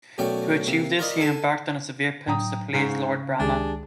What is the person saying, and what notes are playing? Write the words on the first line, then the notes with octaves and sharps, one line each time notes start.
To achieve this, he embarked on a severe penance to please Lord Brahma.
F#2 B2 A3 C#4 D5 G5
C3 A#3
F4 A#4 D5 D#5 B5
A4 G#5 A5
A2 F#3 D4 G5 A#5 D#6
G#2 C#3 F5 C#6
C#2 D#3 G#3 D4 G4 G#4 G#5